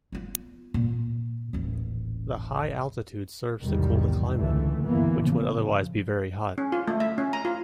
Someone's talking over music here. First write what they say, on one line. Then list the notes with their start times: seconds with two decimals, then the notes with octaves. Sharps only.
The high altitude serves to cool the climate, which would otherwise be very hot.
0.12 B3 F4
0.74 A#2
1.53 D#1 A1
3.62 B1 E2 G#2 C3 D#3 G3
4.36 C#2 D3 E3 A3
4.85 G1 D#2 E3 A#3 B3
5.22 A1 C#3 F3
6.58 C#4
6.72 F4
6.88 A3
7.00 E5
7.18 C#4
7.33 A#5
7.45 F4